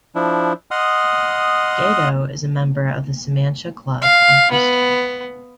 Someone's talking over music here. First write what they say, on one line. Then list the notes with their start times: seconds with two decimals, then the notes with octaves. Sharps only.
Gado is a member of the Samantia Club in Houston.
0.15 F3 D4 E4
0.71 D#5 F#5 C6 D#6 F6
4.02 F5
4.51 B3